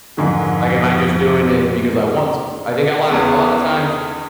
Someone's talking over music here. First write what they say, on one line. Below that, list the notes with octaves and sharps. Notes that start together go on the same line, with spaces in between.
"Like, am I just doing it because I want to?" I think a lot of a lot of times
F2 G#2 D3 D#3
E2 C#3 G#3 B3